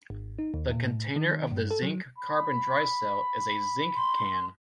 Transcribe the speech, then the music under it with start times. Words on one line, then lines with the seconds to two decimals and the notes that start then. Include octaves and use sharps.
The container of the zinc-carbon dry cell is a zinc can.
0.10 G#1
0.39 D#4
0.54 D#2
0.71 A#2
0.85 A2
1.16 D#3
1.51 G2
1.71 A4
1.82 F#3
2.18 B5
3.96 C6